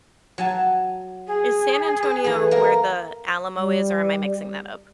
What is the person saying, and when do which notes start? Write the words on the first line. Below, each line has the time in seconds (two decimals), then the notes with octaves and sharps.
Is San Antonio where the Alamo is, or am I mixing that up?
0.38 F#3 G#5 A5
1.27 G#4
2.03 B4
2.24 E3 A4 B4
2.51 A#3 A#4
3.57 G3